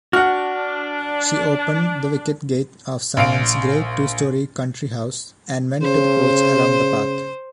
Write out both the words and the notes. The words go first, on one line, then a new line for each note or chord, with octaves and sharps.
She opened the wicket gate of someone’s grey two-story country house and went to the porch along the path.
D4 F#4 F#5 F6
A#1 F5 D7
C#3 C5